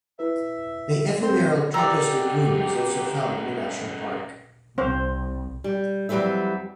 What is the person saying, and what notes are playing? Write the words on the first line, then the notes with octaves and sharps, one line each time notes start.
The ephemeral Tortoise Lagoon is also found in the national park.
E4 B4 E5
C4 C5 C6
F#2 D#4 G4 D5 G5 A#5 E6
C2 C4 C5
G3
F2 E3 F#3 G3 B4 E5